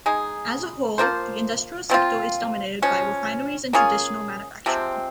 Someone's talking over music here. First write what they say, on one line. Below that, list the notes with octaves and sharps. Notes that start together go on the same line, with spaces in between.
As a whole, the industrial sector is dominated by refineries and traditional manufacturing.
G#3 D#4 G#4
F3 A#3 F4 C5
F3 C4 F4
F3 G#3 C#4
A#3 C#4 F4 G#4
C3 F3 G#3 C4